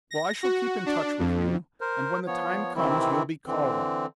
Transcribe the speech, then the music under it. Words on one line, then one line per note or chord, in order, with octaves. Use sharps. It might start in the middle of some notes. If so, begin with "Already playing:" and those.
Well, I shall keep in touch with you, and when the time comes you'll be called on.
A#6
F#4
D4
F2
A#4 C5
F3 B3 C#5
C3 D#3 E3 C4 E4
D3 E3 C4